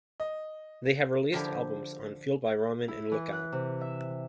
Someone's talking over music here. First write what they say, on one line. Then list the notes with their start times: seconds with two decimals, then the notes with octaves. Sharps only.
They have released albums on Fueled by Ramen and Lookout!
0.20 D#5
1.32 D3 F3 E4 G4 A#4 C5
2.88 E4
3.11 E3
3.33 F#6
3.52 C3
3.81 E5